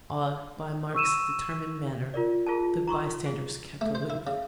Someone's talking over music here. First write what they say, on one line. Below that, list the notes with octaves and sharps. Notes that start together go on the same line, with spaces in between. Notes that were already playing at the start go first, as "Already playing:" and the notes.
Awed by Mark's determined manner, the bystanders kept aloof.
C#6 E6 D#7 E7
F4 A#4 D5
F4 G#4 A#4 A5
A#5 C6 C#6 E6
G#4
A3
C5
E4
C#3